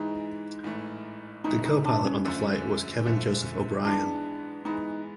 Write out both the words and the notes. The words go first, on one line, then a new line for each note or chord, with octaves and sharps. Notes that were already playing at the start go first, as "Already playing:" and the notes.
The co-pilot on the flight was Kevin Joseph O'Brien.
Already playing: G#2 E3 G#3 D#4
A1 G#2 E3 A3
A1 G#2 E3 A3 D#4
D#4
D4
C#4
F#2 D3 F3 A3
F#2 D3 F3 A3
G#2 E3 G#3 B3 D4
G#2 E3 G#3 B3 D#4